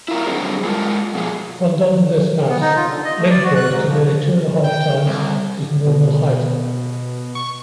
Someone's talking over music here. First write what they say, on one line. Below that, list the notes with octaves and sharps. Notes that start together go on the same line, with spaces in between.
Upon donning this mask, Link grows to nearly two-and-a-half times his normal height.
E4 F4 A#4
D3 F#3 G3 C4 G#4 A#4
G#3 F4 A4 A#4
B2 F3 G#4
B3
D#4
F4
D3
D#5
A3
D5
F#4
F#6
G#2
F3
G5
C2
B2
C#6